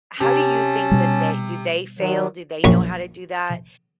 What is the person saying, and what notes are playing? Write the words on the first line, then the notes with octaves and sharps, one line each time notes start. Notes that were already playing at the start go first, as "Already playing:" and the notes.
how do you think that they do they fail? Do they know how to do that?
C3 C#4 A5
B2 G3
D#3 F#3
A#1 F#2 C#6